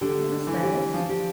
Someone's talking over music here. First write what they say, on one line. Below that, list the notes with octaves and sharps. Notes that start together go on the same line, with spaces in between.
Well, that's nice.
D3 G4
A3
D4
E3 A3
G4
A3
F3 D4
G4